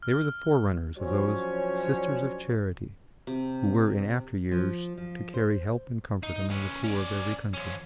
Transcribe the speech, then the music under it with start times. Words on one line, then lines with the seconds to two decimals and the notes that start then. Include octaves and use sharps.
They were the forerunners of those "Sisters of Charity" who were in after years to carry help and comfort among the poor of every country.
0.02 F6
0.98 F3 F#3 C#4 D4 C5 C#5
3.27 C3
4.52 F3
4.97 F3
5.34 C5
6.23 D#4
6.50 C#4 B4
6.83 C#4 D5
7.54 F3 C#4